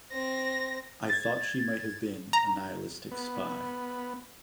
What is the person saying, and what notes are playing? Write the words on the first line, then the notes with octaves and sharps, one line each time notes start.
I thought she might have been a nihilistic spy.
C4 A#6
G#6 A6
A#5
B3